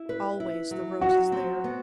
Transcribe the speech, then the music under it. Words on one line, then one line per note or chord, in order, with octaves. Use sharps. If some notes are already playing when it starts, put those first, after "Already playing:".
Always the rose is there.
Already playing: E4
B4
E4
F#3
F#3 F#4
C4
B3